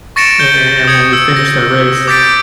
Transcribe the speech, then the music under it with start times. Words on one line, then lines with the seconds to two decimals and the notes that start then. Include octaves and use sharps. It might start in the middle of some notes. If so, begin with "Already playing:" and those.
a a and when we finished that race,
0.16 C#6 A6 A#6 C#7 D7 E7
0.39 G6 G7
0.87 D#6 G#6 C#7
1.13 E6
1.36 A#6
2.08 D6 G6 A6 B6 D7